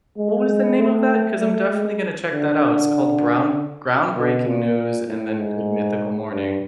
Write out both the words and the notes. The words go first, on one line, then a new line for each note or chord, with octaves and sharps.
what was the name of that? 'Cause I'm definitely gonna check that out, it's called brown Groundbreaking News and then Good Mythical Morning.
G#3
G#3
A3
A3
G#3
D3
B2
A#2
A2
G#2
G2